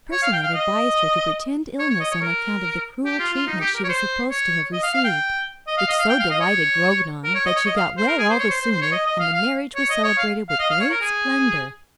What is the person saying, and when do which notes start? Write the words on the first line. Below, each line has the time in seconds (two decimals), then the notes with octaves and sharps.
Percinet advised her to pretend illness on account of the cruel treatment she was supposed to have received; which so delighted Grognon, that she got well all the sooner, and the marriage was celebrated with great splendour.
0.12 C#5
0.23 F5
0.33 G5
0.43 F5
0.54 D#5
1.79 C#5
1.90 C#5
2.00 D#5
2.11 C#5
2.22 A#4
3.05 G4
3.19 F4
3.33 F4
3.47 D#4
3.61 G4
3.75 A#4
3.84 C#5
3.89 C5
4.31 C#5
4.73 D#5
4.83 F5
4.94 F5
5.04 G5
5.67 D#5
5.78 F5
5.88 D#5
5.99 F5
6.09 G5
6.20 F5
6.30 D#5
6.41 C#5
7.24 A#4
7.35 C#5
7.46 D#5
7.56 C#5
7.66 D#5
7.77 F5
7.97 C5
8.08 A#4
8.18 G#4
8.29 C5
8.40 C#5
8.50 C5
8.61 C5
8.71 C5
8.82 C#5
8.92 D#5
9.06 D#5
9.20 F5
9.34 F5
9.76 C#5
9.90 D#5
10.04 C#5
10.18 F5
10.50 F5
10.60 D#5
10.70 F5
10.81 C#5
10.91 A#4
11.01 G#4